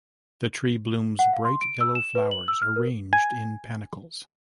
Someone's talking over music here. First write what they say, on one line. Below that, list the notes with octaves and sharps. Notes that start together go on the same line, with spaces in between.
The tree blooms bright yellow flowers arranged in panicles.
F#5
F5
C6
D7
E6
E7
B4
F#7
E6
F6
A#4
G#5